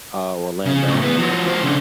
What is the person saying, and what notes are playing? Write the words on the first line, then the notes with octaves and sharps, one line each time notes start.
uh, Orlando.
C#3
C#2 A2
E3 B3
F3 F#4
D#3 C5
C#3 D4